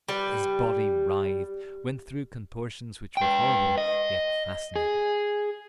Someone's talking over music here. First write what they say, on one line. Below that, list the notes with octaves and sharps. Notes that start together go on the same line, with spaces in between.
His body writhed, went through contortions which were horrible yet fascinating.
G3 B4
B4 G5
D#5
G#4